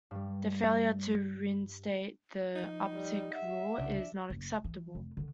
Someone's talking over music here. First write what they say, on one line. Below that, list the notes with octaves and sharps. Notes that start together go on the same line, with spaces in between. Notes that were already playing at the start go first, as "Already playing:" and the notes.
The failure to reinstate the Uptick Rule is not acceptable.
G2 G3
F3 D#4
G3
E5 F#5
C2 C#3 D4
F#1
E3
F1
D3 D#3